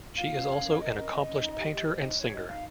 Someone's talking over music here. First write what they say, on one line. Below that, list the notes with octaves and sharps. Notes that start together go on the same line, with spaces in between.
She is also an accomplished painter and singer.
F4 F5
C#4
C#4
A#4
A#4 D#5
C#4
C#4
C#4
D#4
G4
G4
C5
D#4 D#5
D#4 C#5
D#4 D#5
D#4 F5